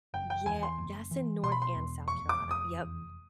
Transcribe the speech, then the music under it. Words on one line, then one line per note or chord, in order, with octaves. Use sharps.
yeah that's in North and South Carolina. Yep,
F#1 G5
G5
E2 G#5
C6
F#1
E3
B2 C6
B5
C6
E2
F1 C#6
D6
F1
D#6
E2